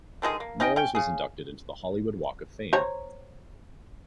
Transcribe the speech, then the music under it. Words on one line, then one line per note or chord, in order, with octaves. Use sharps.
Knowles was inducted into the Hollywood Walk of Fame.
D3 D#3 G#3 G#4
A#3
C#4 D#4 D#5 G5
C#4 G5
C#3 G#4
C5 C#5 A#5